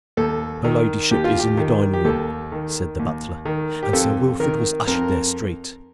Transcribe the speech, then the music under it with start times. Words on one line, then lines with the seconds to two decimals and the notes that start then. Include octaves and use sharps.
"Her ladyship is in the dining-room," said the butler, and Sir Wilfrid was ushered there straight.
0.17 D#2 A4
0.64 D#3
1.11 D#2 G4
1.24 F4
1.39 G4
1.57 D#3
1.93 G4
2.04 D#2 A4
2.52 D#3
2.99 D#2
3.45 D#3
3.83 G4
3.93 F2 A4
4.40 D#3 A#4
4.87 F2 A#4